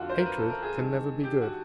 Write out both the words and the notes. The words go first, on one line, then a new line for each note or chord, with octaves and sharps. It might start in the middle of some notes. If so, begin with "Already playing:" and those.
Hatred can never be good.
Already playing: F2 D3 F4 F#4
C5
A#4
B4
A4
A#4
G#4
G2 D#3
G4
F#4